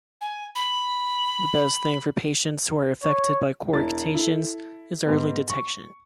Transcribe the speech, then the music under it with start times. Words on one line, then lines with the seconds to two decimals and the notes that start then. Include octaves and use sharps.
The best thing for patients who are affected by coarctations is early detection.
0.21 G#5
0.55 B5
3.03 C#5
3.73 E1 E4 A6
4.15 E4 A4
5.06 G#2 B3
5.50 C#6